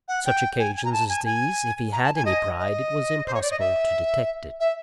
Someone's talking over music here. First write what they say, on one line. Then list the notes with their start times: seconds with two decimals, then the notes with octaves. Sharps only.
On such occasions as these, if he had any pride, it was impossible to detect it.
0.08 F#5
0.25 G5
0.59 G#5
0.76 G#5
0.85 A#5
0.92 A5
1.09 G#5
1.25 G#5
1.92 A#5
2.03 A5
2.15 G#5
2.25 D#5
2.59 D#5
3.26 C5
3.34 C#5
3.42 D5
3.51 D#5
3.59 E5
4.60 E5